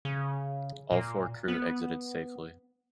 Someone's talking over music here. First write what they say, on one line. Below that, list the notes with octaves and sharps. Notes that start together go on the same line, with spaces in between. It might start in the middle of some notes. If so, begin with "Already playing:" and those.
All four crew exited safely.
C#3
A#2
B3